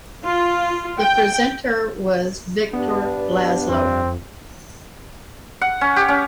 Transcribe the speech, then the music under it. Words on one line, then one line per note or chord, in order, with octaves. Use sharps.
The presenter was Viktor Lazlo.
F4
G5
G2 B3 D4
F2 C4
F#5
C#4
G4
C#4